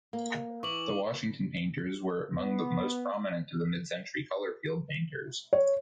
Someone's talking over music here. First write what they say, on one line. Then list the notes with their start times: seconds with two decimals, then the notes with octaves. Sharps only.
The Washington painters were among the most prominent of the mid-century color field painters.
0.13 A#3
0.63 E3 C#6 D6 F#7
2.34 B3
5.53 C#5